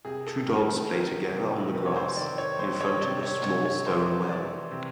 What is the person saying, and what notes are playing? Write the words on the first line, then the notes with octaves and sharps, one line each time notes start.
Two dogs play together on the grass in front of a small stone well.
C3 G#4
A4
D#3 A#4
B4
D#3 A#4
C3
C3 B4
C#5
C5
D#3 D5
C#5
D#3 C5
C#5
C3 D5
C#5
C3 C#5
C#5
E3 C5
B4
E3 D5
C3